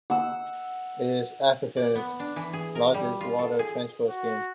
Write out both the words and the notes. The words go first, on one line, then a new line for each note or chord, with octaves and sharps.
It is Africa's largest water transfer scheme.
F#5 E6
D5
B3
D4
E3
G#4
A#4
G3
F4
A4
G#4
F#4